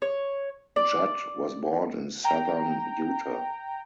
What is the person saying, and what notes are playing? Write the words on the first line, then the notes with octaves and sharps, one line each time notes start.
Judd was born in southern Utah.
C#5
D5
G5 A#5